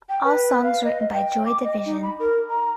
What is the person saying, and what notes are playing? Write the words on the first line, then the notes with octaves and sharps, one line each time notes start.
All songs written by Joy Division.
G5
B4
F5
D#5
G5
D6
D#5
D#4
B5
A#4
A#5